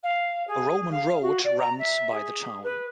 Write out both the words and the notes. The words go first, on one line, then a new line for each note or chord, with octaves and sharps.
A Roman road runs by the town.
F5
G#4
F5
F#4
D5
A#5
E5
G#4
B4